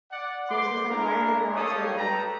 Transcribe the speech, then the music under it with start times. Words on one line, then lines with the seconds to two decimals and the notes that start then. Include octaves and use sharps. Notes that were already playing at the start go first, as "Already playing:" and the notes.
so it's just, like, why are they allowed to
0.11 D5 F#5
0.49 B4 C5 C6 D6
0.90 A3 D4 E4 A#4
1.54 D#4 G4 A4 C#5 F5 D#6
1.96 A4 B4 G5 A#5